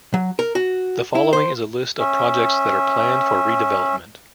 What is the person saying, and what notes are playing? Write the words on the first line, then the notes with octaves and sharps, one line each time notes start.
The following is a list of projects that are planned for redevelopment.
F#3
A#4
F#4
E4
C5
C#4 E5